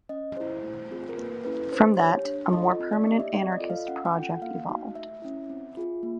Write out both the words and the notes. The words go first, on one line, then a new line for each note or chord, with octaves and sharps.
From that, a more permanent anarchist project evolved.
C#4 D#5
E4 G#4 C5
A3
C4 F4 G#4
A#4
A#3 B4
C#4 E4 A4 B4
D4 C5
G4 C#5
D4
F4 A4 D#5
C4
D5
D#4 G4 D#5
E5
C4 D5
D#5
F4 A4
F5
C#4 F#5
G5
F4 A4
F#5
A#3 F5
D#4 F#4
A3 E5
C#4 E4
C4
F4 G#4
A#3